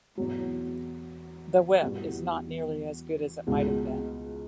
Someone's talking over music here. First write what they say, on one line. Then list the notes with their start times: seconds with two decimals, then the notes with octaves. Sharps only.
"The Web" is not nearly as good as it might have been.
0.17 E2 B2 F#3
1.82 E2 B2 G3
3.47 C#2 B2 G#3